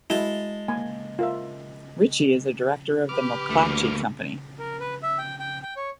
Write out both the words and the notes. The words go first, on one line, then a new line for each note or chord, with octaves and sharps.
Ritchey is a director of The McClatchy Company.
G#3 E4 F#4 A5
A#3 G#5
F4 A#4 E5
G4 B4 D6 F6
D2 A3 A#3
A#4
B4
E5
G5
G5
G5
C#5